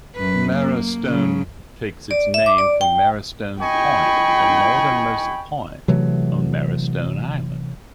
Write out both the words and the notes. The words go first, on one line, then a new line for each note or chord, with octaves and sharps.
Marrowstone takes its name from Marrowstone Point, the northernmost point on Marrowstone Island.
F#2 B4
A#3
C#3 F#3
D5
E5
D6
D5
G5
D#5 G5 G#5 B5 C#6
C3 E3 F#3 A3